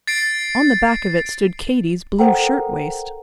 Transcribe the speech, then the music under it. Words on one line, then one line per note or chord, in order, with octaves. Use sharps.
On the back of it stood Katy's blue shirtwaist.
A6 C7 D7
A4 A#4 C5 F#5 G5 A#5